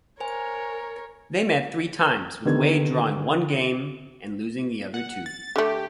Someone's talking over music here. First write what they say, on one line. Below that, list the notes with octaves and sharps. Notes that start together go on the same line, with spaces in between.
They met three times, with Wade drawing one game and losing the other two.
A#4 C5 C#5 G#5
D3 D#3 B3 G4 G#6
F#5
A6
D3 A3 G4